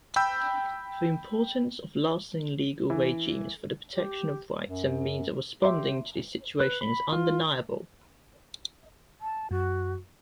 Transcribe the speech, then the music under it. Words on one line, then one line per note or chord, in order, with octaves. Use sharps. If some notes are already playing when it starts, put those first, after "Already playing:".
The importance of lasting legal regimes for the protection of rights and means of responding to the situation is undeniable.
G5 B5 E6 G6
E3
G4
F#2
G4 E5 C6 D6
B4
B5
F4
A5
F#2 F#4